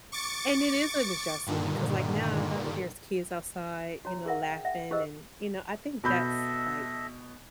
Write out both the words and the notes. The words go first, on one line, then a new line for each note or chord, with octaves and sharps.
and it is an adjustment. 'Cause, like, now there's kids outside, you know, laughing and, you know, I think that's, like,
C#6 D6 A6 C#7
G2 A#2 D3 D#3
F#4 C#5 A#5
G#4 A#4 E5 F#5
G5
E5 F#5
E4 G4 G#4 C5 D#5 E6
B2 A4 D#5 E5 B5 G6